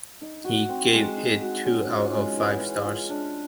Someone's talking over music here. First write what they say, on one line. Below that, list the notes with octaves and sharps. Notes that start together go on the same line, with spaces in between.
He gave it two out of five stars.
D#4
F#4
C4
G#3
D#4
F#4
C#4
F4
G#3
E3
C#4
F4
D4